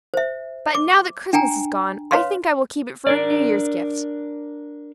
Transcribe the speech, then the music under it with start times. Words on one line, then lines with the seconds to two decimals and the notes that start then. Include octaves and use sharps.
But now that Christmas is gone, I think I will keep it for a New Year's gift.
0.14 C5 E5
0.75 D6
1.33 D4 G5 G#5 A#5
2.11 B4 C#5 F5 C6
3.07 D4 A#4 D5